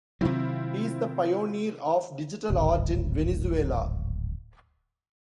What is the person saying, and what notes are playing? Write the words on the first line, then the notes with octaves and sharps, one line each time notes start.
He is the pioneer of digital art in Venezuela.
C3 D#3 F#3 C4 E4 F4
D1 G#1